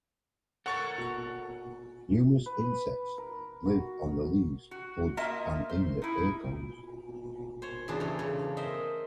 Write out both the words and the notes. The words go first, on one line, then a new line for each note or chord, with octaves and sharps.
Numerous insects live on the leaves, buds, and in the acorns.
A4 A#4 C#5 F#5 C#6 A6
B4
A#4
F#4
F#4
A#3 F4 D#5 E5 A5
C5
D#4 E4
C5 C#5
E2 C#3 D4 C5 A5
G2 A3 A#5
C#3
A#4 C5 D#5 E5